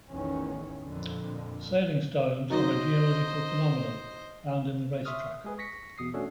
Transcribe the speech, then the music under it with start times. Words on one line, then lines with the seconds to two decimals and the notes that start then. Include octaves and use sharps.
The sailing stones are a geological phenomenon found in the Racetrack.
0.10 A1 E2 D#3 C#4
0.82 F2 A#2 D3
2.50 F#3 D#4 C5 D#5
5.05 E5 C6 C#6 D#6 F6
5.44 G#3 G#4 B4
5.58 C#6 A#6 B6 C#7
5.98 E2 B2 D#6 C7
6.14 A3 C#4 D4 F#4 A4